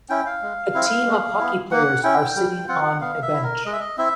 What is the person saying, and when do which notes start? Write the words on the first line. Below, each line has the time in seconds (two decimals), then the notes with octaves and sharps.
A team of hockey players are sitting on a bench.
0.09 C#4 E4 G5
0.26 F5
0.42 G#3
0.74 C4 E4
1.07 G#3
1.39 B3 E4
1.71 A#3 F#5
2.03 C#4 E4 G5
2.36 G3 G5
2.68 C4 F4 F#5
3.01 B3 F5
3.22 E5
3.33 E4
3.43 A#4
3.65 G#3 D#5
3.72 E5
3.80 D#5
3.98 C4 E4 E5